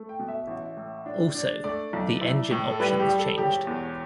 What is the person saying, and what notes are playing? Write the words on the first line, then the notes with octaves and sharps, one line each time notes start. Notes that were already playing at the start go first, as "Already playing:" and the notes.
Also, the engine options changed.
Already playing: A3
G5
B2
E5
A1
A2
D4
D4
A3 D5
B1
E4
A2
A4
G3 B4
G4
G3
A4
E1 G4
E2